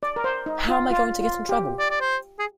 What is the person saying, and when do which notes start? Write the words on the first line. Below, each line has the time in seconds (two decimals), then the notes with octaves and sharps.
How am I going to get in trouble?
0.03 D5
0.16 A#4
0.24 C5
0.46 D#4
0.69 F4
0.91 F4
1.21 F4
1.49 G4
1.80 D5
1.91 D5
2.01 C5
2.39 G#4